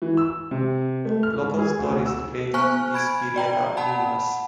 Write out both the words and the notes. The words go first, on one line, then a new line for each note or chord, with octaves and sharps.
Local stories relating to this period are numerous.
E3
E6
C3
A3
F6
G#2
G#4
D2
E6
B3 C5 G#5 C#6 F6 F#6
B5 G#6 D7
D5 G5 A#5
F#5 A5 B5